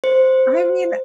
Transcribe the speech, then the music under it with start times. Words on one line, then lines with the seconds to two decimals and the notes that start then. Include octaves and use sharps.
I mean,
0.04 C5